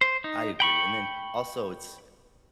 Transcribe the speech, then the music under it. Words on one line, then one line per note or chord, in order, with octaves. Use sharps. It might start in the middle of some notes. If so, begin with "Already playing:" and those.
I agree, and then, also, it's
C5
D#4
G5 B5 C#6